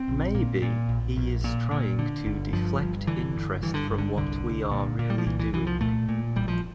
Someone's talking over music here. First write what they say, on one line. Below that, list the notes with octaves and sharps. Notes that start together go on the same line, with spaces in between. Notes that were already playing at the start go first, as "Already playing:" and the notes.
Maybe he is trying to deflect interest from what we are really doing.
Already playing: C4
A#1
A#2
A#2
A#1
A#1
A#2
A#2
D3
G1
G2 F3
G1
D3 E3
G1
G2 E3
D3
G1
D3
C2 D3
C2
A#2
A#2
G3
F3
C2 E3
E3
C2 E3
F3
A#2 A3
A#2
A1 G3
F3